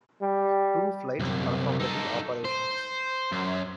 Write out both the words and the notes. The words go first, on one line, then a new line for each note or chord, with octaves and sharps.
Two flights performed the operations.
G3
C2 F#2
D#4 A4
C5
F#2